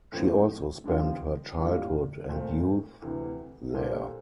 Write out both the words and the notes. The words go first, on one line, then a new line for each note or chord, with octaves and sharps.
She also spent her childhood and youth there.
A1 A2 F3 A3 C4
G2 D3 F3 C4 F4
A2 G3 A#3 D4 F4
A#2 A3 C4
D2 C3 E3
A#2 G3 D4 A4 C5